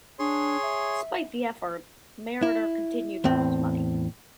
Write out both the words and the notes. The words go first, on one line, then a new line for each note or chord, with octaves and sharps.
Despite the effort, Meritor continued to lose money.
D4 G#4 C#5 C6
E5
E4
E2 A2 C4